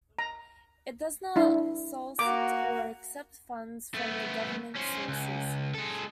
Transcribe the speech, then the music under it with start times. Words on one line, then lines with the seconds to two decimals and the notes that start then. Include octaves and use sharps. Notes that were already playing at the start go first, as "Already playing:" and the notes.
It does not solicit or accept funds from government sources.
0.19 A#5
1.36 D4 E4 C6
2.19 A#3 F#4 D6
3.94 A3 B3
4.75 C#4 C5
5.08 C#2
5.74 G#3 A4